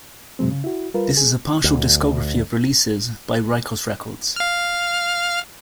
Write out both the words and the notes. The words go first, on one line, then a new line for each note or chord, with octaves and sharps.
This is a partial discography of releases by Rikos Records.
G2 C3 F#3 G#3 C4
C#3
E4 F#4
G3 F4 A#4 B4
G#4
D2
F5 F6